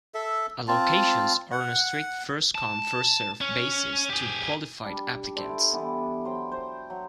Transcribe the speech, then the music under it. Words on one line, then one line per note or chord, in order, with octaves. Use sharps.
Allocations are on a strict first-come, first-served basis to qualified applicants.
A4 E5
C4 F4 A5
F#5
A5
C#4
G4 G#4
G3 D4
E4 A4 C5 D5
E3 G3 B3
F#3 C5 G5
C5
F#3